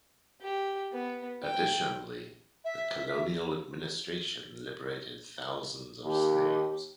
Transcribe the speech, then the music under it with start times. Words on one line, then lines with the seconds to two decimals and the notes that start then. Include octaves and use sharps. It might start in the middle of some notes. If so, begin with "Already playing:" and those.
Additionally, the colonial administration liberated thousands of slaves.
0.41 G4
0.92 B3
1.43 G5
2.64 E5
6.05 D#2 G4